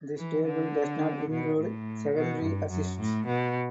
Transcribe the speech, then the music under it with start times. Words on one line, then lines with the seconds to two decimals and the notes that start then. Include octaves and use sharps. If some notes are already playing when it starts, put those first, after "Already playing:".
This table does not include secondary assists.
0.17 E3
0.45 D3
1.30 B2
1.58 A2
2.15 B2
2.42 G2
2.70 F#2
2.99 A2
3.26 B2